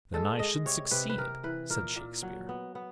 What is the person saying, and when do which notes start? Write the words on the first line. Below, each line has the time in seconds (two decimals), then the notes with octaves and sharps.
"Then I should succeed," said Shakespeare.
0.14 G#3 A4
0.39 G#3 D#5
0.66 C3 C#5
0.91 C3 B4
1.09 B4
1.18 C3 A#4
1.43 E3 B4
1.70 A#2 A#4
1.96 A#2
2.23 F#3
2.49 B3
2.75 B3